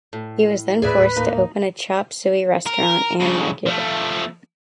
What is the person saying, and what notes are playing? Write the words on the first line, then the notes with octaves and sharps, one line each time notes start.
He was then forced to open a chop suey restaurant and market.
A2
D#2 A2 G#4 B4 D5 E5
A#3 D#4
A#4
G2 C#3
F3 A3